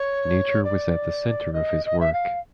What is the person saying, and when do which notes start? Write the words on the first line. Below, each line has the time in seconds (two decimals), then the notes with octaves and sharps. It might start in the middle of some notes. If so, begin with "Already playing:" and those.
Nature was at the centre of his work.
Already playing: C#5
0.64 D5
1.53 D#5
1.86 D#5
2.00 E5
2.13 F5